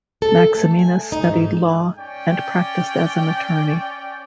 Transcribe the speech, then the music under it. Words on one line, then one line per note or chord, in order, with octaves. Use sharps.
Maximinus studied law, and practiced as an attorney.
A4
A3
G#5
D#4
G#2
C#4 D5 G5